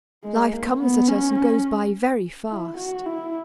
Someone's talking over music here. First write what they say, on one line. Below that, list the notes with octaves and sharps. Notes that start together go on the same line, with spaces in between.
Life comes at us and goes by very fast.
G#3
A#3
B3
C#4
E4
F#4
E4